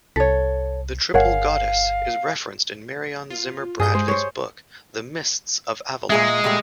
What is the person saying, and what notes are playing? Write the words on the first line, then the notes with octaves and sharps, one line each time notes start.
The triple goddess is referenced in Marion Zimmer Bradley's book The Mists of Avalon.
C2 A4 C#5 B6
G1 G#4 A#4 C#5 F5 F#5
F4
G2 G#4 G6
G#3 C5
C5 C#5
A#2 G#3 G#4 E5
A#2 G3 A3